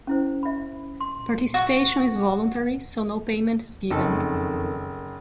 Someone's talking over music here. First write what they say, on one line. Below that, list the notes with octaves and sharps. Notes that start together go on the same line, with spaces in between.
Participation is voluntary, so no payment is given.
C#4 E4 C5
E5 B5
C6
F#4
F#1 F2 D#3 A4